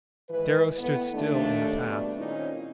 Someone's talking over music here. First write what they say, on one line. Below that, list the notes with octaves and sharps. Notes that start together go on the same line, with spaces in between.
Darrow stood still in the path.
G#2 D#3 E3 B4
A2 B3
D#2 A3 D4
B2 G3 A3 D4
A#2 D#3 C4 C#4 D#4 E4